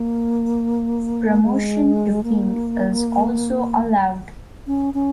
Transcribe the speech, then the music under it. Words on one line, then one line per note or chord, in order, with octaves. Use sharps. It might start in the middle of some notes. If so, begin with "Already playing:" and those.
Promotion to king is also allowed.
Already playing: A#3
G#3
A#3
C#4
C#4